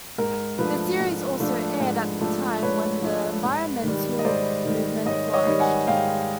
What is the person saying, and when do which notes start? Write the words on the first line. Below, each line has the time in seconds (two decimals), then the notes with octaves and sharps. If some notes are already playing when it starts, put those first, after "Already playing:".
The series also aired at a time when the environmental movement flourished.
0.18 G#2 A#4
0.58 F3 A3 D4 B4
1.00 G#2
1.40 F3 A3 D4
1.80 G#2
2.21 F3 A3 D4
2.63 G#2 B4 C#5
3.02 F3 A3 D4
3.44 G#2
3.84 D#3 G3
4.19 D#5
4.25 G#2 C5 D5
4.65 D#3 G3
5.06 G#2 C#5 D#5
5.33 C#5 D#5
5.47 D#3 G3
5.60 F#5 G#5
5.87 G#2 F5 G5